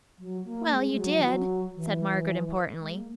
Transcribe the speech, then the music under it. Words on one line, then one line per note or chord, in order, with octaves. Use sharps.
"Well, you did," said Margaret importantly.
F#3
A#3
G#3
G#3
F#3
E3
F#3
E3
G#3
A#3